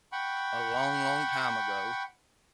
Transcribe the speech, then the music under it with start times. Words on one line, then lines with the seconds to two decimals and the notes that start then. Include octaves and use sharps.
a long, long time ago,
0.12 F#5 G5 B5 C#6